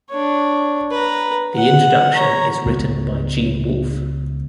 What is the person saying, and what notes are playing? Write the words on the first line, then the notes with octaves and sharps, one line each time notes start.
The introduction is written by Gene Wolfe.
D4 C#5
B4 A#5
F#5
C#5 A#5
C#2 B3